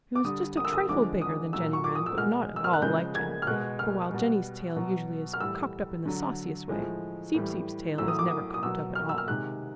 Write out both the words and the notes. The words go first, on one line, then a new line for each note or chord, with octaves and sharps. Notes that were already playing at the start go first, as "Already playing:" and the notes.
He was just a trifle bigger than Jenny Wren but not at all like Jenny, for while Jenny's tail usually is cocked up in the sauciest way, Seep-Seep's tail is never cocked up at all.
D6
D3 G3 D#6
D#6
E6
D#6
D3 F3 G#3 D6
D#6
A#2 F#3 E6
C#6
D6
D#6
E6
B2 G#3 F6
E6
F6
F#6
C#3 F3 G#3 G6
G#6
F6
B2 G#3 F#6
F6
B2 G3
B2 F#3
F6
A2 E3 G3 E6
D3 F#3
A2 F3 G#3
A2 E3 G3
A2 F#3 E6
D#6
D6
D#6
D#6
B2 F#3 E6
F6
E6
F6
C3 D#3 G#3 F#6